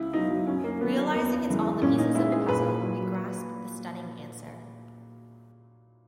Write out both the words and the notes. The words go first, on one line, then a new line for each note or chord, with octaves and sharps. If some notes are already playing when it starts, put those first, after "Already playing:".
Realizing it's all the pieces of a puzzle, we grasp the stunning answer.
Already playing: C#2 E4
B2 F#3 D#4
F#2 C#4
A#3
D#3 F#3 B3
A#3
E2 B3
C#3 E3 G#3
A#2 C#4
D#4
G#3 E4
G#4
A#2 B4
F#3